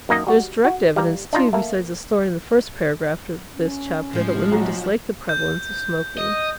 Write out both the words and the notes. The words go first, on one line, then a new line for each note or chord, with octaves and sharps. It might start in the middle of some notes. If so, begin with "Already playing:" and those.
There is direct evidence, too, besides the story in the first paragraph of this chapter, that women disliked the prevalence of smoking.
F#2 A#3 D#4 D#5
G3 F#4
F#4
G3 F5 A#5
D4 D#4 F4
A3 A#3
C#4
A2 F3 G#3
B1 F#4 A#5
G6
D#5